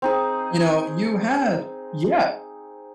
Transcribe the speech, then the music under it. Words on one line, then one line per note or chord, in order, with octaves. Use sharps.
You know, you had Yeah,
C4 D#4 G#4